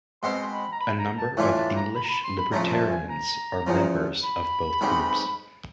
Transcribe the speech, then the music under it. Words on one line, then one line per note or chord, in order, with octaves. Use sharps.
A number of English libertarians are members of both groups.
B2 G#3 C4 C6
B5
A#5
B5
A#5
A5
A2 E3 A3 D4 F4 G#5
A5
A#5
B5
A#5
B5
C6
B5
F2 C#3 F3 A3 A#5
A5
G#5
A#5
E2 C#3 F3
B5
B1 B2 G#3 C4 D#4